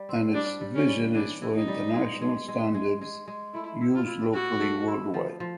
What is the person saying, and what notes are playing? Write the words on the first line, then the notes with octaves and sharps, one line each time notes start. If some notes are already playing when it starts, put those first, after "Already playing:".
And its vision is for ‘international standards used locally worldwide’.
Already playing: G3
C4
G3 D4
G3
C#4
G3
E3 D4
E3
D#4
G3
G#3
G#3
G#3
G#3
G#3
G#3
A3 E4
E4
F4
E4
E4 F#4
A3
E4
F3
F3